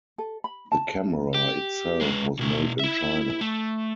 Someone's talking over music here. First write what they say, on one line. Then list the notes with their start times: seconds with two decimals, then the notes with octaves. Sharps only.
The camera itself was made in China.
0.18 A4
0.44 B5
0.72 A5
1.34 G4
2.01 G#3 B4
2.39 B2 E4
2.79 E4 E5
3.41 A3